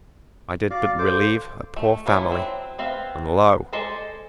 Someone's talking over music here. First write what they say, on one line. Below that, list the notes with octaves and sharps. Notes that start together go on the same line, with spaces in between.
I did but relieve a poor family; and lo!
F#4 D5 F5
A4 C5 F5 D6
A3
C#4 D4 E4 F4 A4
F#3 C4 E4
B3 C4 E5 F5
G#3 A4 C5 D5 A5